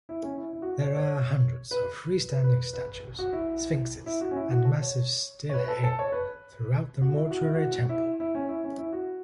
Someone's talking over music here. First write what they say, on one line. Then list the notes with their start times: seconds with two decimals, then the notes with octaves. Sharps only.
There are hundreds of freestanding statues, sphinxes, and massive stelae throughout the mortuary temple.
0.09 E4
0.23 C#4
0.38 E4
0.53 E4
0.62 F#4
0.82 C#5
0.97 C#5
1.71 B4
2.30 B4
2.44 B4
2.73 B4
3.19 F#4
3.33 E4
4.06 E4
4.21 F#4
4.31 C#4
4.36 E4
4.51 F#4
4.65 A4
4.81 C#5
5.49 C#5
5.54 B4
5.64 B4
5.68 A4
5.83 A4
5.99 C#5
6.12 B4
7.02 F#4
7.16 E4
7.31 F#4
7.42 E4
7.55 F#4
7.89 E4
8.20 E4
8.35 C#4
8.49 E4
8.64 C#4
8.79 E4
8.92 F#4